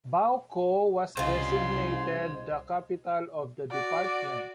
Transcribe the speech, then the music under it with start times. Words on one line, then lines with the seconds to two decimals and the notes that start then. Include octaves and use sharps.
Boaco was designated the capital of the department.
1.17 C2 C#3 F4 C5 D#5 C6
3.71 F#4 D5